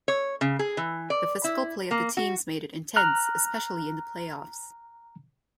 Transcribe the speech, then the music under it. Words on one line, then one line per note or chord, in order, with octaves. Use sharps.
The physical play of the teams made it intense, especially in the playoffs.
C#5
C#3
G#4
E3
D5
E4
A#3
F#4
A#5 F6 F#6